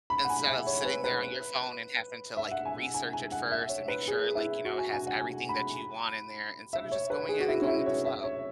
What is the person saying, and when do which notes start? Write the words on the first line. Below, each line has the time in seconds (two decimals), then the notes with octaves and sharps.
Instead of sitting there on your phone and having to like research it first and make sure like, you know, it has everything that you want in there instead of just going in and going with the flow.
0.10 B5
0.25 F#5
0.29 G#5
0.48 E5
0.67 C#5
0.85 B4
1.04 B4
2.37 E5
2.51 F#5
2.65 G#5
2.94 G#5
3.13 G#5
3.32 F#5
3.51 E5
3.69 C#5
3.88 B4
4.08 G#4
4.35 E4
4.65 F#4
4.78 G#5
4.93 G#5
5.07 F#5
5.20 G#5
5.49 B5
6.73 E5
6.92 C#5
7.10 B4
7.29 G#4
7.40 F#4
7.48 E4
7.62 C#4
7.67 E4
7.86 C#5
8.05 E5
8.24 C#5